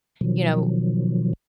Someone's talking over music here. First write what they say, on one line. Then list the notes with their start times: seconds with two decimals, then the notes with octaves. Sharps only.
you know,
0.21 B2 D#3 F3 F#3